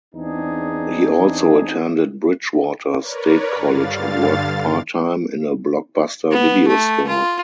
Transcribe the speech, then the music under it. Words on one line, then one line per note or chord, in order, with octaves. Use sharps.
He also attended Bridgewater State College and worked part-time in a Blockbuster video store.
E2 C4 D4 D#4 G#4
A#4 B4 C#5 D5
G2 D3 F5 A6
B3
A3
F4